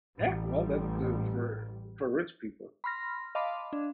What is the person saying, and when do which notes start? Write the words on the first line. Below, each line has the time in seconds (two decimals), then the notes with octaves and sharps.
Yeah, well, that goes for for rich people.
0.18 A1 G3
2.84 B5 C6 F6 A#6
3.35 D#5 F5 A5 B5 C6 D6
3.73 D4